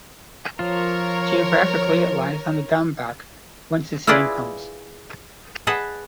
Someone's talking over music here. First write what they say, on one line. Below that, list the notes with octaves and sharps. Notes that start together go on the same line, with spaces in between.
Geographically it lies on the Dammbach, whence its name comes.
F3 F4 A#4 C#5
E4 F4 G#4 B4 D5 D#5
G#4 B4 D#5 F#5 A5